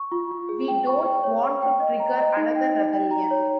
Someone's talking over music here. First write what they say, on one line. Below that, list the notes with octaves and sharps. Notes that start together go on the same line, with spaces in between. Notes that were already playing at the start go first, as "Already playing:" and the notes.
We don't want to trigger another rebellion.
Already playing: C#6
F4
F4
G#4
G5
C#6
G5
C#5
C#6
G5
D#5
A#5
D#5
D#4
G5
D#4
G5
A#5
C#5